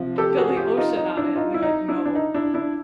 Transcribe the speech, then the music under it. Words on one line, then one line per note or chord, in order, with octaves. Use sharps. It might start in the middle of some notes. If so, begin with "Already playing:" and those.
Billy Ocean on it, and they're, like, "No,"
Already playing: C3 F3
G4 A4
F#4 G#4
F#4
F4 G4
D#4 F4
D#4
D4 E4
D#4 F4
E4
D#4
D4 E4
D4
D#4
D4 E4
D4 E4